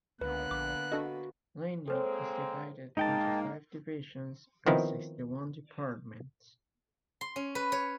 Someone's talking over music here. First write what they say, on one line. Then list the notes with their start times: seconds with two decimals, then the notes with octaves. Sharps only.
Laney is divided into five divisions and sixty-one departments.
0.21 C#2 D3 A#3 B3 B4 F#6
0.51 A#1 D6
0.92 D4 F#4 A4 D#5
1.88 G#3 A#3 C4 A4 C5 C#5
2.97 G#2 A#3 D#4 D#5 G5 A5
4.66 D#3 F3 B3 C4 D#4 E4
7.21 C6
7.36 C#4
7.55 B4
7.72 C#5